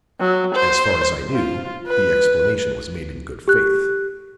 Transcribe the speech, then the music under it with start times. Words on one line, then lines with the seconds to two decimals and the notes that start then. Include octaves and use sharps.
As far as I knew the explanation was made in good faith.
0.20 F#3
0.54 C5
1.34 F4
1.87 B4
3.48 G4 F#6